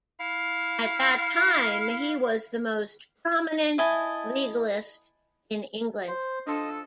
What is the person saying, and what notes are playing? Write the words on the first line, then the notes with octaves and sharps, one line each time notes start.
At that time, he was the most prominent legalist in England.
E4 F5
E4 D#5 G#5 A5
C5
F3 D4 A4 D#5 C6